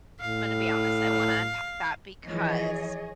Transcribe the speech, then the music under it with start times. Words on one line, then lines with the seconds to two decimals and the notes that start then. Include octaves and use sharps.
I'm gonna be honest, I wanna unpack that because
0.21 A2 F5
2.26 E3 F3 G#4 C#5 D#5